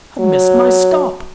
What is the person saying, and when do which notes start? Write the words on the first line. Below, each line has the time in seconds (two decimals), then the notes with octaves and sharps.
I've missed my stop.
0.20 F#3